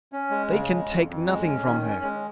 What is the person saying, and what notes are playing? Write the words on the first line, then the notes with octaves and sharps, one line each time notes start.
"They can take nothing from her."
C#4
G#3
C#3
G#3
F2
F2
G#3
C#4
D#3
C#4
G#3